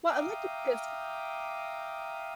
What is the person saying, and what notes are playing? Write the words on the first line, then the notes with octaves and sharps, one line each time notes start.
Well, I like it because,
E5 F5 G5 A#5 D6 D#6